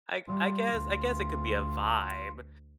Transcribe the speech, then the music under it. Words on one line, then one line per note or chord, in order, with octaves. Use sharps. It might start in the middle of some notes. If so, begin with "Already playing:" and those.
I I guess I guess it could be a vibe.
G3 F4
D2